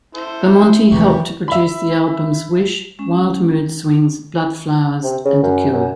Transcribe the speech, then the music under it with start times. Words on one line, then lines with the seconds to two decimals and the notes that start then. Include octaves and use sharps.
Bamonte helped to produce the albums "Wish", "Wild Mood Swings", "Bloodflowers", and "The Cure".
0.15 E4 A4 C5
0.92 D#2 C3 E3 G4 C#6
1.48 E5 B5
2.99 G#3 C#4
5.03 C3
5.25 C#3
5.43 F#2
5.73 F#2